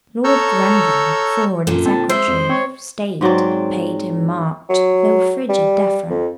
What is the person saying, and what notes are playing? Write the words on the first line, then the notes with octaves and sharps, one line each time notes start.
Lord Grenville--Foreign Secretary of State--paid him marked, though frigid deference.
A4 C#5 A#5 E6 F6 G6
F#2 A#2 D3
C4 A5
G#3 C5 E5
F2
C4 C#5
G#2 F#3 C4 D5
F#3
G3
F2